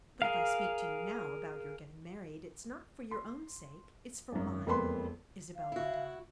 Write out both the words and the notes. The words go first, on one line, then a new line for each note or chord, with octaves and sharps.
"But if I speak to you now about your getting married it's not for your own sake, it's for mine," Isabel went on.
G#4 A#4 F5
C6
G#1 F#2
E1 F2 A#3 B4 B5 C6
F5
E4 F#4